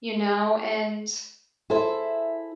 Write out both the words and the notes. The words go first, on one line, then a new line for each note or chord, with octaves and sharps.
you know, and
E4 G#4 A4 C5 E5